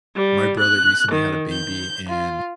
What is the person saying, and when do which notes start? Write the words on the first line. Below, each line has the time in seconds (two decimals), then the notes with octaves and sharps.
my brother recently had a baby, and
0.14 G3
0.58 F#6
1.10 D#3
1.51 G6
2.08 F4